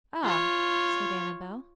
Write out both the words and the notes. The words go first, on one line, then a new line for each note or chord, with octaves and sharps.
"Ah!..." said Annabel.
F4 C#5